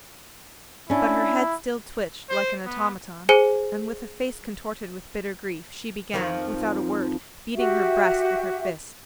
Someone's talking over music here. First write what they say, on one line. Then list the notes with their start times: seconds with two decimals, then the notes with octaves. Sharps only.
But her head still twitched like an automaton and with a face contorted with bitter grief she began, without a word, beating her breast with her fist.
0.90 C#4 D4 E4
2.29 C5
2.65 B3
3.29 G#4 C5 G#5 C#7
6.14 F2 D#3 F3
7.55 F#4 G4 E5